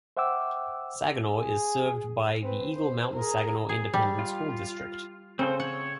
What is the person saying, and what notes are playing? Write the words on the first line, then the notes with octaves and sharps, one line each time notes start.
Saginaw is served by the Eagle Mountain-Saginaw Independent School District.
C5 E5 F#5 G5 D6 E6
G#4
C4 B4
C5
G#4 A#4
G#4
G3
F4
C#3 C4 A4 C5
C#5 F#5